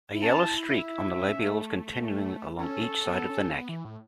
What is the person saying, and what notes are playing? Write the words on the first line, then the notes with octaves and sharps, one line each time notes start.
A yellow streak on the labials, continuing along each side of the neck.
E4
C#4 A5
C#4
E4
E5
C#4
A3
C#4 A4
C#4
B3
C#4
B3
E3
A2